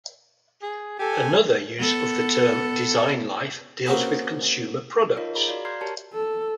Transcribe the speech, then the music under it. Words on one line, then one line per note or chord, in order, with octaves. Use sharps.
Another use of the term design-life deals with consumer products.
G#4
G4 A4 G#5
B3 A4
A#3 C4 C#4 F#4 G#4 B4
D#4 F4 A#4 C#5 D#5 F5
G#4 A#5 B5
F#4 D5 F5
A#5 C6 F6 G6 G#6 C7
G4 A#4 C#5 A5
A4